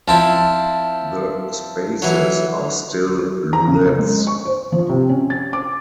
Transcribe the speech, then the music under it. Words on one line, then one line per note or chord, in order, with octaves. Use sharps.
The spaces are still lunettes.
F3 C4 E4 A5
E3 F#3
A#5
C#3
G#3
C#6
C5
F3
C3
C#4
A6
D6